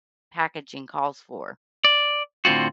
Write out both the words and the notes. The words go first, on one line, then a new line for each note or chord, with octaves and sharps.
packaging calls for.
D5
A2 D3 C4 F4 F#4